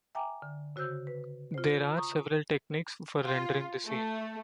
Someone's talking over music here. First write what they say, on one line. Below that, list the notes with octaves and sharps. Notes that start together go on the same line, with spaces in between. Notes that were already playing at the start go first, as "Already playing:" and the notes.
There are several techniques for rendering the scene.
E5 G5 G#5 A#5 D6
D3
C#3 F#4 C5 E6 G6
B4
F4 C5
A#5 C#6 D#6
F4
A3